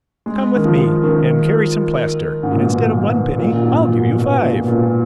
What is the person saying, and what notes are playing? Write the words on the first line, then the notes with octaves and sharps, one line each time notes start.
"Come with me and carry some plaster, and instead of one penny, I'll give you five."
G#3
D#3
F3
D#3
G#2
A#2
B2
A#2
A#2
G#2
A#2
B2
A#2
A#2